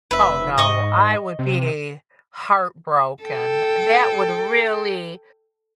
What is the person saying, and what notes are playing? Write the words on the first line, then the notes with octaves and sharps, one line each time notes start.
Oh, no. I would be heartbroken. That would really,
F1 B4 E5
G#2 D#5 C#6 D#6
C3
A4 G5